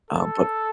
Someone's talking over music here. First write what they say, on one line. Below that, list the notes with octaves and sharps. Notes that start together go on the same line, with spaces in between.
Uh, but
A4